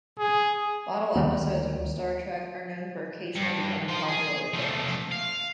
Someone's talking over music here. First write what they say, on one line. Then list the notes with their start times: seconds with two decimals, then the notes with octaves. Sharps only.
Bottle episodes from "Star Trek" are known for occasionally becoming popular with fans.
0.19 G#4
1.16 D2 D#3 G3 A#3
3.35 G2
3.89 F3 C5
4.08 G#4
4.53 F3 A3
5.11 F5